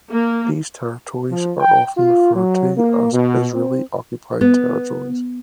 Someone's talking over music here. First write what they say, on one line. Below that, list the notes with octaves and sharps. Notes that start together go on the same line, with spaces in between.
These territories are often referred to as Israeli-occupied territories.
A#3
F3
G5
F4
F#3
A#3
B2
C4
B3